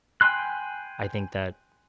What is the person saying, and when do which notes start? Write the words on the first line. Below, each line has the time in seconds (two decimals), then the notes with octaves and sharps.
I think that
0.21 G5 G#5 B5 C6 F#6